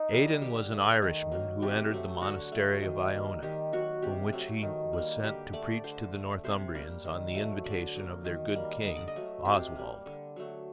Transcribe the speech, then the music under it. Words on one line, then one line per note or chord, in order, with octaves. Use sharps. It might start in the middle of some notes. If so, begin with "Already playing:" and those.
Aidan was an Irishman who entered the monastery of Iona, from which he was sent to preach to the Northumbrians on the invitation of their good king, Oswald.
Already playing: D#4
D#3 G3 A#3
D3 G4
A3
D#3
F#3 A#3
C3 G4
F#3 A3
D3 F#4
F#3 A3
D#3
G3 A#3
D#3 G4
F#3 A#3 F#4
C3 G4
F#3 A3
D#3
G3
A#3
D3 G4
A3 D5
D3 C5
A3
C3 C5
G3 A#3
D#3
F#3 A3
D3 D5
F#3 A#3
D#3
G3 A#3
D3 D#5
D5
D#5
F#3 A3
C3 G4
G3 A#3
D3
F#3 A3